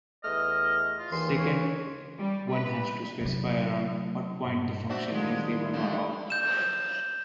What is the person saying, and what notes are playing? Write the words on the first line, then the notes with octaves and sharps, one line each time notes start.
Second, one has to specify around "what point" the function is even or odd.
E2 A3 D#5 F6
F4
D#2 E3 C6
C#5
G3
B4
C3 F#3
G2 A#2
D4 F#4 C5 D5 E5
F2 D#3 G3 G#3
A2 D3 F3
G6 E7